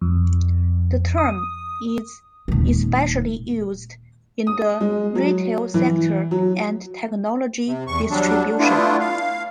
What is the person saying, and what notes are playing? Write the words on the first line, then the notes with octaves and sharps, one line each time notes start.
The term is especially used in the retail sector and technology distribution.
F2
D#6
D#1 G#3
D#6
G#3
F#3
E3
F#3
C3
E2 C#6
F#3 G3 D4
A3 B3 D4 E4 F4
F5